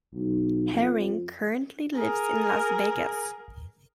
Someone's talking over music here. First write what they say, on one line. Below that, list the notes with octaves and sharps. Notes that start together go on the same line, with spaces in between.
Herring currently lives in Las Vegas.
B1
F2
G#4 A#4